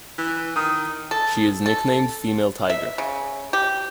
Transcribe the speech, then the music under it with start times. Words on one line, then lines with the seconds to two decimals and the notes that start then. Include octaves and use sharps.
She is nicknamed "Female Tiger".
0.18 E3
0.56 D#3 D#6
1.11 A4
1.66 A4
2.70 E5
2.98 C#3
3.53 G4